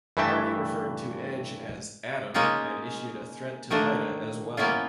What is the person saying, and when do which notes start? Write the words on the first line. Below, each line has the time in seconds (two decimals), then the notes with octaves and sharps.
Hardy referred to Edge as "Adam" and issued a threat to Lita as well.
0.17 G2 E3 A3 E5 G5 A5
2.34 G#3 A#3 C#4 D#4 F4
3.70 D#3 A3 A#3 D4
4.57 A#3 B3 C#4 E4 F4